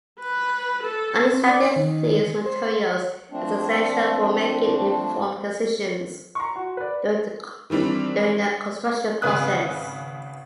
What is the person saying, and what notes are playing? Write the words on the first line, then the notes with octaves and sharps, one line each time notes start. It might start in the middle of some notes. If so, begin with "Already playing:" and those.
Understanding these materials is essential for making informed decisions during the construction process.
B4
A4
C4
D5
D#3
C5
F3 A3 C4 D4
A#5 C6 C#6
F#4
B4 D5
D#3 E3 G3 C4 D4
G#1 C#3 B4 D#6 F#6